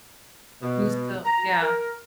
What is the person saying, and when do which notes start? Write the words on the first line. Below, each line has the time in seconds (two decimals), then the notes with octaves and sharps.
You still Yeah.
0.62 B2
1.25 A#5
1.60 A#4